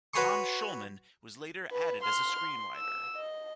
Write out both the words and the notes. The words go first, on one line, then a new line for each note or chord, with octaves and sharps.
Tom Schulman was later added as a screenwriter.
F#4 B4 C#5 G#5 C6 C#6
B4
C6 F6
C6
E6
D#5